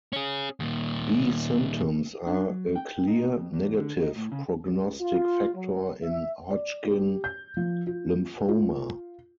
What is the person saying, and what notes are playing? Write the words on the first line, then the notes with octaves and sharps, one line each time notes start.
B symptoms are a clear negative prognostic factor in Hodgkin lymphoma.
C#4 G#4
D#2 A#2
D4
F#3
G5
D#4
F2
E2
D3
D#4
A2
C#3
C#2
F4
F#3
E5
D5
G4
G6
F3
F4
F4